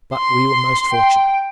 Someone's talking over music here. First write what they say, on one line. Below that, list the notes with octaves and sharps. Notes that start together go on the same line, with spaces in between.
But we were most fortunate.
C6
G5